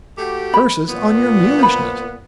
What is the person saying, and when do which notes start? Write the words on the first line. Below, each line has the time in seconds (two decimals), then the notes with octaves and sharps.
"Curses on your mulishness!"
0.18 A3 F#4 G4
0.54 B5
0.88 A#2 B3
1.59 C5 B5